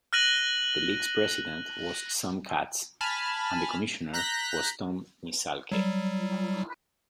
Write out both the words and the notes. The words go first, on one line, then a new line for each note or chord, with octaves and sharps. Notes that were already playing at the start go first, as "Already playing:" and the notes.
The league's president was Sam Katz and the commissioner was Tom Nissalke.
F6 F#6 A#6 D#7 F#7
G#5 A5 B5 F6
A#5 F#6 G6 A#6 B6
F#3 G3